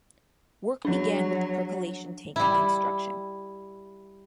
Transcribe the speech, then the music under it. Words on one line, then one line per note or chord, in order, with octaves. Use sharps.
Work began with the percolation tank construction.
F3 F#3 D4
G3 E4